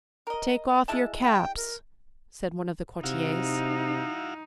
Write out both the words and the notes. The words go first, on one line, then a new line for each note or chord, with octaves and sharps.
'Take off your caps,' said one of the courtiers.
A#4 D#5
G#3 E4 A5
G5
A#4
C3 D#4 E4 F#4 F5